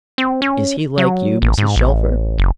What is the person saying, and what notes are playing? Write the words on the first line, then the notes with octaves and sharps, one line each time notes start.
"Is he like you, Mrs. Shelfer?"
C4
C#4
F#3
A1
G#2
A1
F#1